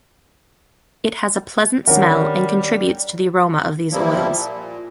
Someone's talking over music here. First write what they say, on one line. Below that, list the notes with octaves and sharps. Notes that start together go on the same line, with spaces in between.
It has a pleasant smell and contributes to the aroma of these oils.
D#3 G3 C#4 D4 A#4 F#5
F3 G3 A#3 E4
A#2